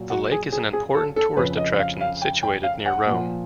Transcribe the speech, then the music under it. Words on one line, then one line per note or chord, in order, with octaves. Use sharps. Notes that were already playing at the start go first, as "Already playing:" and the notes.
The lake is an important tourist attraction situated near Rome.
Already playing: A#2 F#3
F#4
G#4
G#4
G#4
A4
A4
F2 C#3 F3 B4
D#5
F5
F5
G5
G5
F5
F#5
A#2 F3